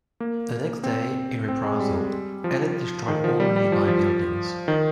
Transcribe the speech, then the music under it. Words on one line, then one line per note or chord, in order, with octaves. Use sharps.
The next day, in reprisal, Ellet destroyed all nearby buildings.
A#3
C4
C4
G#3
G3
F3
D#3
F3
G3
G3
F3
F3
D#3